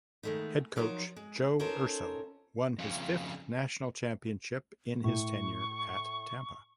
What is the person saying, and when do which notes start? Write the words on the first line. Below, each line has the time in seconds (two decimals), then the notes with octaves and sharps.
Head Coach Joe Urso won his fifth national championship in his tenure at Tampa.
0.23 D#3 G#3 A3 B3 D#4
0.76 F3 F#3 D#4 A#4 C5
1.16 G#3
1.59 C#4 D#4 F4 A4 A#4 C5
2.79 F2 C#3
5.04 A2 C#6